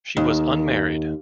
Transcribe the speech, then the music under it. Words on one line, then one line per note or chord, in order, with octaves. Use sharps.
She was unmarried.
D#2